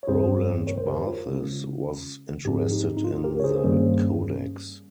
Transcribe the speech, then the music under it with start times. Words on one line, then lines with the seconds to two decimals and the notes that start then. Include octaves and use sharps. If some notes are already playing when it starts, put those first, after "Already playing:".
Roland Barthes was interested in the Codex.
0.03 C#5
0.08 G2 G3 C4 G#4 C5
0.67 A#4 C#5
0.78 C5
0.87 G4 A#4
1.01 G4
1.07 F4
1.27 C#3 G#3 C#4
2.45 G#2 F3 C4 G4
2.58 G#4
2.71 D#4 G4
2.97 D#4
3.04 F4
3.24 G4 A#4
3.40 C#5
3.44 G#4 C5
3.64 G2 D#3 G3 A#3 C#4